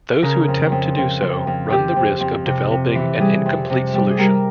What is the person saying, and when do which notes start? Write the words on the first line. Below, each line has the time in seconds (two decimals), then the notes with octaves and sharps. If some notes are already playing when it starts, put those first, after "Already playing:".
Those who attempt to do so run the risk of developing an incomplete solution.
0.23 C#3 A#4
0.48 F2
0.72 F2
0.98 F2
1.22 F2
1.47 F2
1.71 F2 G4
1.96 F2
2.20 F2
2.46 C3
2.71 C3
2.95 E3
3.20 G3 G#4
3.46 F2
3.70 C3
3.95 G3
4.10 G#4
4.19 G3 A#4